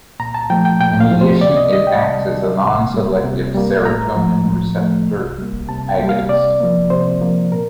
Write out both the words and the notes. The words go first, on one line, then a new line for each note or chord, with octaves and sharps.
In addition, it acts as a non-selective serotonin receptor agonist.
A#2 A#5
A5
F3 A3 G5
G5
A#2 G5
F5
F3 A3
C5
C3 D5
D#5
D#3 G3 D#5
G5
C3 A5
D#3 G3
C3
G3 A#3
C3
G3 A#3
A2 A#5
F3 A3
A2
F3 A3
C3
G3 A#3
C3 A5
G5
G3 A#3
F5
C3 D5
F3 A#3
C3 C5
F3 A#3
A#2 A#4